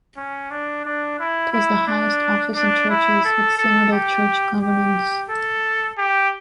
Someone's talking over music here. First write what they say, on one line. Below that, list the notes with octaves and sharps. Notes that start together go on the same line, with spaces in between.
It was the highest office in churches with synodal church governance.
C#4
D4
D4
E4
E4
D4
D4
E4
A4
A4
G4
G4
A4
G4